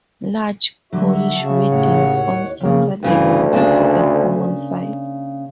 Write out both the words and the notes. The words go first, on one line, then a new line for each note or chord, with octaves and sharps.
Large Polish weddings on Saturdays were also a common sight.
D3 F#3 F#4 E5
C#3 A5
D#2 A2 C#5 F#5
F2 C#3 A#3
D2 G2 C#3 E3
C#3 A#3 D4